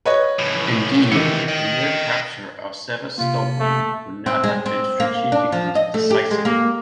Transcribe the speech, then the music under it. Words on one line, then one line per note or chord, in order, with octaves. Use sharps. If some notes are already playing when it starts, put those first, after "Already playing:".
Indeed, the mere capture of Sevastopol would not have been strategically decisive.
B4 C#5 D#5
C#2 A2
C3 D#3 E3 C#7
D#5 G5
C3 A#3 F4
A3
C4
G#3
C4
A#3
D4
F3
D#5
A3
G4
G#3
A#3